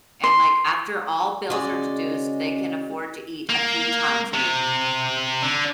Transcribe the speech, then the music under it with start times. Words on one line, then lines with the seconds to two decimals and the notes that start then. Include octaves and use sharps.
and like after all bills are deduced, they can afford to eat a few times a week.
0.24 C6
1.50 C#3 G#3 F#4 G#4 D5
3.50 A#3
4.34 C3
5.43 D3